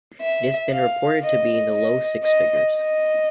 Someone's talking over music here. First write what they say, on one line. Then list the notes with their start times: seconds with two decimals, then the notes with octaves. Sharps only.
It has been reported to be in the low six figures.
0.21 E5
0.72 F5
1.22 D#5
1.73 D#5
2.23 D#5
2.75 D#5